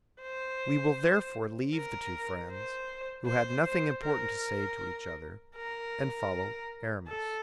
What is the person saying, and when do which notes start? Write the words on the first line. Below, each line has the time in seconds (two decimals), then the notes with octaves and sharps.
We will therefore leave the two friends, who had nothing important to say to each other, and follow Aramis.
0.21 C5
1.74 A#4
2.51 C5
3.26 C5
3.65 C5
4.03 A#4
5.56 A#4
7.08 A4